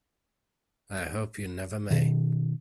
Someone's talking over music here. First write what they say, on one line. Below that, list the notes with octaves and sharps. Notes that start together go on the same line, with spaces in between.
I hope you never may.
B2 D#3